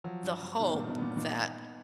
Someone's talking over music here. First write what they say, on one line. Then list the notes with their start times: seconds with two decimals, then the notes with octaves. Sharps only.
the hope that
0.04 F3 F#3
0.23 G2
0.42 G2
0.60 B2 D#3
0.75 G2 A#2
0.88 B2
0.98 A#2 B3
1.17 A#2 D#4